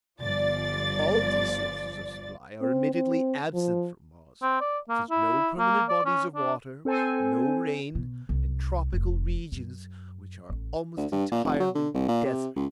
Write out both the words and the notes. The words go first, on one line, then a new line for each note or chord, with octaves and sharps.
All these sources of supply are admittedly absent from Mars, which has no permanent bodies of water, no rain, and tropical regions which are almost entirely desert.
G1 F3 D5 A6
C4
C4
F3
C4
D5
A#3
E4
A#3
D5
C#4
D4
C4 A4 C5 G#5
B2
C2
F1
F#2
A1
D2
G2
A#2
F1
F#3
D3
C2
A#2
C3
C#2